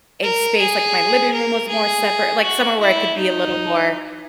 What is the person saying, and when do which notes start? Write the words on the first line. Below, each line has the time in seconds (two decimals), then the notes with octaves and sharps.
a space, like, my living room was more separate like, somewhere where I could be a little more
0.23 A#4
0.59 G#4
1.33 A#4
1.69 G#4
2.42 F#4
2.80 E4
3.17 D#4